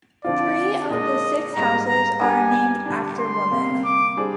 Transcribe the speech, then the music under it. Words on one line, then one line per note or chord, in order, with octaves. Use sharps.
Three of the six houses are named after women.
D3 F3 C4 F4 D5
A#2 G#3 D4 D#5
G#2 G3 A#3 A#5
A#5
G3 D4 G4 A#4 G#5
D3 G3 D4
C6
C3 G3 A#3
D6
G3 D4 G#4 C5